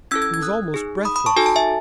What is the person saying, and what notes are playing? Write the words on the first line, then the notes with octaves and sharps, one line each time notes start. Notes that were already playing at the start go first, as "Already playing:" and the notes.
He was almost breathless.
C#4 E4 A4 E6 G#6
E6 G#6
G#6
D#6 F#6
D#4 G#4
B5 D#6
B5 D#6
A5 C#6
D#4 F#4 A4 G#5
A5
E5 G#5